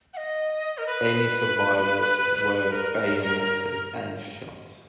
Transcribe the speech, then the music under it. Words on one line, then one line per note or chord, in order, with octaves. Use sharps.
Any survivors were bayoneted and shot.
F#5
D#5
A#4
B4
B4
A#4